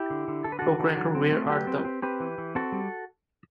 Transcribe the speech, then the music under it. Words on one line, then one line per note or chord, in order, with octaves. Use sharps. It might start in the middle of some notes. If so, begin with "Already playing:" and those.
O' Cracker Where Art Thou?
Already playing: E4 G4
D3
D3
D3 A4
B4
D3 F#4 A4
D3
F#3
C4
A3
F#3 G4 B4
C4
C4
C4 G4 B4
E3
E3
C4 F#4 A4
G3